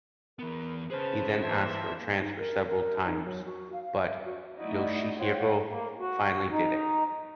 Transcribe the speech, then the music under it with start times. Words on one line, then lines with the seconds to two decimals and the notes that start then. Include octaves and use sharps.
He then asked for transfer several times, but Yoshihiro finally did it.
0.39 E3 B3 A#4 B5
0.90 C#4 G#4 B4 C5 A5 C6
1.43 E3 A#3 B4 E5 A5 C6
2.19 D#4
2.38 A#4
2.66 A#4
3.06 D#4
3.25 F#3
3.45 F#4
3.73 F5
3.84 F5
4.08 E5
4.25 F#4
4.59 A3 D#4 E4 F#4 D5 D#5
5.18 F4 C5 C#5 F#5 G5
5.68 A#3
6.00 F#4
6.50 D#4